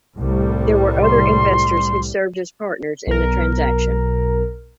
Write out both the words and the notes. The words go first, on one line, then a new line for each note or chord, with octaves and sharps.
There were other investors who served as partners in the transaction.
C2 A2 G3
C6
B1 A#4